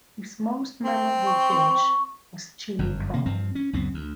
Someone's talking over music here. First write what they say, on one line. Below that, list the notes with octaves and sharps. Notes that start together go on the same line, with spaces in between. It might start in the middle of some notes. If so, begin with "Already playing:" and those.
His most memorable dish was Chili Prawns.
C4
C#6
G1 F#2
C3 A#3
G2 F3 C4
C#4
C#2 F#2 B3 C4
D2